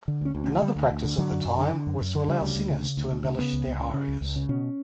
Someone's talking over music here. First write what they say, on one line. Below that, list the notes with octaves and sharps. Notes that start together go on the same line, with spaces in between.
Another practice of the time was to allow singers to embellish their arias.
D3
D2 C#4
D2
C#4
D3
D3 G3
D2
D2
D3
D3 F#3
F#2
F#2
D3
D3
F#2
F#2
D3
C#3 G3
D2
D2
C#3
C#3
D2
D2
C#3
C#3 B3
C#2
C#2
C#3
C#3
C#2
C#2
C#3
B2 C#4